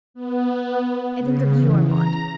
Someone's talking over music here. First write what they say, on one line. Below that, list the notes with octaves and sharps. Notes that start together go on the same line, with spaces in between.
I think of you, Armand.
B3
C#3
E3
A#5